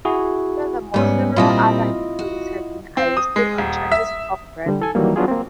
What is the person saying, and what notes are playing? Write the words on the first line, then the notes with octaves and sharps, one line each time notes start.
Furthermore, several other employees have been arrested on charges of bribery.
E4 F#4 G#4
G#2 G3 B3 C#4
A#2 G3 C4 E4 F4 D#5
F#4
C4
D#6
G#3
D#1
E5
D3 G3
A4 G#5
D#3 E3 F#3 G3 A#3
F#3 B3 D4 F4 G#4
A#3 C4